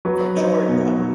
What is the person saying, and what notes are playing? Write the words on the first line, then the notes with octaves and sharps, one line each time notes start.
from Georgia.
F#3 B4
D#4 C#5
B2
F#3